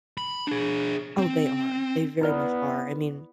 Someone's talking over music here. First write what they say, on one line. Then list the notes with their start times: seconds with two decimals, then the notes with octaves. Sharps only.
Oh, they are. They very much are. I mean,
0.18 B5
0.47 D4 G#4
1.18 C4
2.21 B3 E4 B4 D5